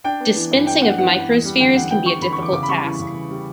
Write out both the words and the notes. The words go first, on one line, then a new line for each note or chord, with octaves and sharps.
Dispensing of microspheres can be a difficult task.
D4 G5
B3
E3
G2
D4 G5
B3 F#5
E3 F#5
G2
E2
G3
D3 G5
E2 F#5
E2 G5
G3 C#6
D3 B5
E2 C#6
D6
C#3 D6
B5
G3 C#6
E3
C#3
C#3
G3